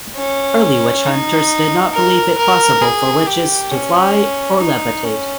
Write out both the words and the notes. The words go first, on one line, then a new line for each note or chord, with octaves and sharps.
Early witch hunters did not believe it possible for witches to fly or levitate.
C#4
D#4
A#4
A#4
G#4
G4
C#4
D#4
C#4